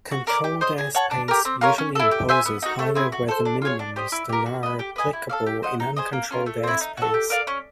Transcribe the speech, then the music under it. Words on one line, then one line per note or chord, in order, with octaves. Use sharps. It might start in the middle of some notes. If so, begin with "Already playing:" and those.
Controlled airspace usually imposes higher weather minimums than are applicable in uncontrolled airspace.
F#4
A#4 D5
G4
C5 D#5
G#4
C#5 F#5 A5
D4
G4 A#4
C4
F4 A#4 C#5
C#4
E4 A4
G4
C5 E5 G#5
B3
D#4 F#4
A3
C4 E4 G#4
F#4
A4 C5
D4
F4 G#4 C#5
D4
G4 C5 D#5
E4
G4 A#4
F#4
B4 D#5
G4
B4 D#5 G#5
E4
A4 D5 F5
G4
C5 D#5 F#5
D#4
G#4 C5 D#5
A#3
C#4 F4 A#4
A3
C4 E4
D#4
F#4 A4
G4
A#4 D5 F5
C#4